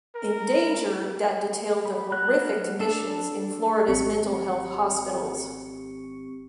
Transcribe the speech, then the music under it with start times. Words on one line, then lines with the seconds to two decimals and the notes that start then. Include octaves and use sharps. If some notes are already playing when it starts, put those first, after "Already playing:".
In danger that detailed the horrific conditions in Florida's mental health hospitals.
0.15 A#4
1.86 B5
2.12 F#3 A#3 F#6
2.80 D4 A4 A5
3.88 G#1 C4 G4 C#6 C#7